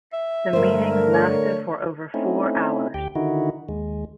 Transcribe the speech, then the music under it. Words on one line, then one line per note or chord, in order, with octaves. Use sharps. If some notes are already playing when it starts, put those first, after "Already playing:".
The meetings lasted for over four hours.
E5
G2 D3 A3 A#4 C5
C#5
A3 C4 C#4 D#4 E4
D2 G4 G5
D3 D#3 D#4 E4 F#4
D#2 G#3